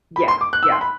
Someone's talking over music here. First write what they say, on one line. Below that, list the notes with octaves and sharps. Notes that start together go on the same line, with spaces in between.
Yeah, yeah.
B5
C6
D6
F#6
E6
C6
B5